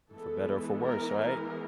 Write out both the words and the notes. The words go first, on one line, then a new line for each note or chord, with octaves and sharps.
For better or for worse, right.
E3 G#3 B3 A4
A#4
A#4